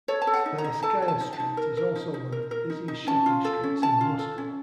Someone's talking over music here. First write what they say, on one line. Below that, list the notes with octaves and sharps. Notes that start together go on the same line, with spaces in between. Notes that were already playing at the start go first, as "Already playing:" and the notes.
Tverskaya Street is also one of the busiest shopping streets in Moscow.
A4 C#5
A5
A4
F#5
D#4
A#5
D#4
A4 A5
A4
A5
D#4
A5
D#4
A#4
A#4
D#4
D#4
A#4
A#4
D#4
D#4
C#4 A5
F4
A4
C#4
C#4 A5
F4
A4
C#4